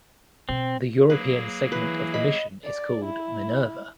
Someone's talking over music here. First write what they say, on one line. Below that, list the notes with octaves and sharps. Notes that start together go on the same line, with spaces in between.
The European segment of the mission is called "Minerva".
B2 C4
F#3 A#3 G#4 B4
E3 B4
D#5 B5
D5
E4